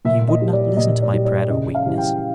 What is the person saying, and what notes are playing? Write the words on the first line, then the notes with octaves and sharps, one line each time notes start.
He would not listen to my prayer of weakness.
A#2 E5
D#5
G3
D5
A#2 D#5
D5
G3
D5
C#3 D#5
F5
E3 G3
G5